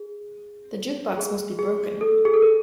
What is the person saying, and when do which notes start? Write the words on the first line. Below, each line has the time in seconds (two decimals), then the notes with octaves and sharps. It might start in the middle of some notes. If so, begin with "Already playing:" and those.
The jukebox must be broken.
Already playing: G#4
1.18 G#4
1.59 G#4
2.01 A4
2.25 G#4
2.34 A4
2.42 A#4